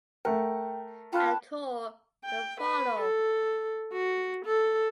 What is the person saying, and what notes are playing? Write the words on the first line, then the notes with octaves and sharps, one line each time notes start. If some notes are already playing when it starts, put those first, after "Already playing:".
A tour will follow.
A3 A#4 F#5 G5
C#4 F4 A4 G5 B5 F#6
G5
B4
A4
F#4
A4